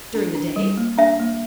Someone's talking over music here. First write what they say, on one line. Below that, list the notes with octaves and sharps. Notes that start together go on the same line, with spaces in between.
"During the day?"
D4
D4
G3
A#3
D4 E5
A#3